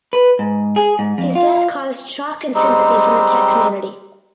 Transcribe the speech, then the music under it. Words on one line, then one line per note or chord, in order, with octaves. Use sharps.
His death caused shock and sympathy from the tech community.
B4
G#2
G#4
G#2
F2
F4
G3 G#3 C4 D#4